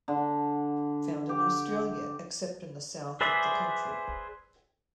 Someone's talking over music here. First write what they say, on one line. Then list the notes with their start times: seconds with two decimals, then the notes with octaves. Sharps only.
Found in Australia except in the south of the country.
0.08 D3
1.29 G4
3.21 G#4 B4 C5 D5 E5